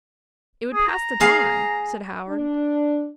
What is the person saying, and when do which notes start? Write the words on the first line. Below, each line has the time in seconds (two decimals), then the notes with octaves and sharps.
"It would pass the time," said Howard.
0.74 G#4
0.87 A#5
1.20 G#4 F5
2.28 D4